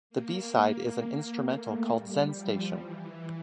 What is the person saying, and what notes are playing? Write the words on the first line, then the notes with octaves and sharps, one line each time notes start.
The B-side is an instrumental called "Zenstation".
A#3
A3
G3
F3
E3